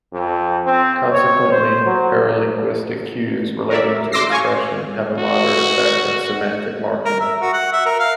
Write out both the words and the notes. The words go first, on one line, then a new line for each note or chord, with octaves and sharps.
Consequently, paralinguistic cues relating to expression have a moderate effect of semantic marking.
F2
C4
C#5
C5
F#3
A#4 D5 E5
C6 D6 E6 A#6 C7
F5 G#5 C#6
F#4
A#4
E5
F#4
F#5
E5
A#4
F5